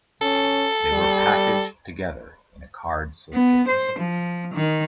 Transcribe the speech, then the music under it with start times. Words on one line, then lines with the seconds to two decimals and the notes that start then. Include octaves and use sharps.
They were packaged together in a card slipcase.
0.22 C#4 A4
0.92 G3
3.33 B3
3.68 C5
3.99 F3
4.54 D#3